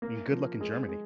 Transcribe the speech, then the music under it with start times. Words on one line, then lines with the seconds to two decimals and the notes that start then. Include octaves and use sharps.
And good luck in Germany.
0.02 A#3
0.31 F3
0.61 G#3
0.89 G#3